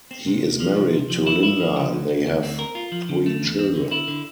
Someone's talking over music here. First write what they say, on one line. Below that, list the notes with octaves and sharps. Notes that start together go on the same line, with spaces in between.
He is married to Lynda; they have three children.
C4
C3
C3
F3
C3
C3
F3
E4
E4
F3
D3
D2
D2
D2
C4
A#4
F4
F3
D3
A3
E2
C4
D3
E4
D3